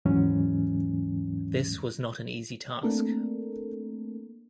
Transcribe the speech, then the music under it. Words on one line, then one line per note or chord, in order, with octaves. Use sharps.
This was not an easy task.
D#2 G#2 E3 F#3 G#3 C#4
A3 A#3 C4 D4 A4 A#4